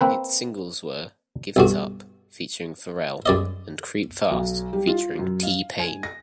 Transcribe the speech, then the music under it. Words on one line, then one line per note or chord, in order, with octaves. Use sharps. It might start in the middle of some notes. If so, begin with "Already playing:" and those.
Its singles were "Give it Up" featuring Pharrell and "Creep Fast" featuring T-Pain.
A#3 C4 B4
B1 G2 F#4
F#2 D5 D#5
B1
G3
F4
F#2
F5
G#5
A#6